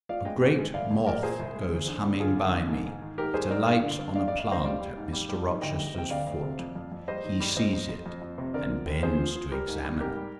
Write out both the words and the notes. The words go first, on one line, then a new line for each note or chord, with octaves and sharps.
A great moth goes humming by me; it alights on a plant at Mr. Rochester's foot: he sees it, and bends to examine it.
F3 D5 F5
G#3 D#5 G5
G#2
G#3
C2 D5 F5
C2
A#2 A#4 D5
A#2 G#4 C5
C2
G#3
D2
D3
G3
D3 F4 G#4
D3
D3
G#2
G#2
D#3
G#2 G4 A#4
G3 G#4 C5
G#2 A#4 D5
G2 D5 F5
D3
G2
G2 D5 F5
D5 F5
G2
D5 F5
D3 C5 D#5
G3 D5 F5
G3
G#2
G3
G3
G#2
D2 D#5 G5
G3
C3 G5
D2 D5 F5
D2
C3
F2
F2
F2
G3 C5 D#5
D#3
G3
F2 C5 D#5
F2
F2
F2
F2
C3
D3 A#4 D5
F3
D#2
D3 G#4 C5
F3
F3
G3 G4 A#4
G#2
G3
G#2 G4 A#4
G3